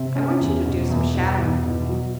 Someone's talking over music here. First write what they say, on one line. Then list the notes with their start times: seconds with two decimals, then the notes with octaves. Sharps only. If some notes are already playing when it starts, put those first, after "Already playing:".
"I want you to do some shadowing for me."
Already playing: C3
0.15 C#4
0.40 E2
0.65 B2
0.90 E2
1.15 B2
1.39 E2
1.64 B2
1.88 F#3